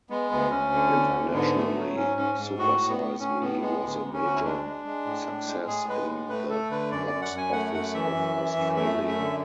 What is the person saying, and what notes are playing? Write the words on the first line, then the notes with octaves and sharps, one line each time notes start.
Internationally, "Super Size Me" was a major success in the box office of Australia.
G#3 B3
D2 B3
D2 C#4
D3
D2
D3
G#2 B3
A3
F#3
G#2 C#4
G#2 C#4
G#2
A2 F#4
A2
B3
A2
A2 C#4
A2 B3
G#3 B3
D2 B3
D2
C#4
D2 F#4
E4
G#3 D4
G#3
G#3
A2
A2
G#3
A2 G#4
G#3 B4
A2
A3 B4
A3 A4
D3 B4
F#2 D5
F#2 D5
F#5
F#2
G#5
A3 F#5
F#2 F#5
E3 E5
F#2
E3
F#2
A3 E5
F#2
E5
D3